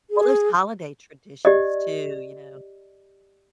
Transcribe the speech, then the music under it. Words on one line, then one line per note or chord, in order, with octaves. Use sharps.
Well, those holiday traditions, too, you know,
G#4
G4 D5 D#5